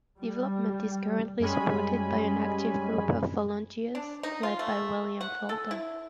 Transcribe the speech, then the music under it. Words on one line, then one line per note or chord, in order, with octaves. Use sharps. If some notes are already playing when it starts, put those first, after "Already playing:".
Development is currently supported by an active group of volunteers led by William Fulton.
G3
F#2 G3 G#3 C#4 G#5 B5
D4
D#4
F4
A3
F#5
A4
E4